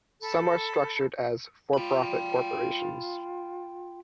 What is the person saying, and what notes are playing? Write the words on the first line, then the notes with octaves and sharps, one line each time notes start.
Some are structured as for-profit corporations.
A4 A5 B5
F4 G5 B5